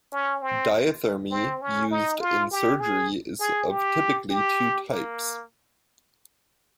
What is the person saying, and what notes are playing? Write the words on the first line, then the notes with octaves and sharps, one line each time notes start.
Diathermy used in surgery is of typically two types.
C#4
C4
C4
C#4
D#4
F4
G4
G#4
G#4
G4
G4
A#3